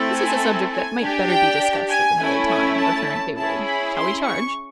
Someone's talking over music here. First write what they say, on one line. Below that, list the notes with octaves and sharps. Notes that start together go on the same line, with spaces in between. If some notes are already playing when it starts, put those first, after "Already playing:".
"This is a subject that might better be discussed at another time," returned Heyward; "shall we charge?"
Already playing: A3 C4 E4 A4
G#5
G#5
D4 G4
G5
G#5
A3 C#4 E4
G#5
A5
C#4 E4 G#4 A5
B5
C6
C#6